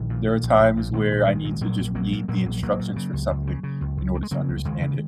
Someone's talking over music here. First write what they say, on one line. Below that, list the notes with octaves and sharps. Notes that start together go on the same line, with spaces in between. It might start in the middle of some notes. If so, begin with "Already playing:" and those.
There are times where I need to just read the instructions for something in order to understand it,
Already playing: A#1 D#3
A#2
A#2
A#1
A#1
A#2
A#2 D#3 G#3
A#1
A#1 D#3 G#3
A#2
A#2 F#3 A#3
A#1
A#1 F#3 A#3
A#2
A#2 F#3 A#3
A#1
A#1 F#3 A#3
A#2
C#3
C#2
C#2
C#3
C#3
C#2
C#2
C#3
G#3
C#3 F#3 A#3
C#2
C#2 D#3 G#3
C#3